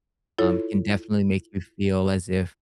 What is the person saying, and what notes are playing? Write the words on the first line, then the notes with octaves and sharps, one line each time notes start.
um, can definitely make you feel as if,
E4 F4 A4 C#5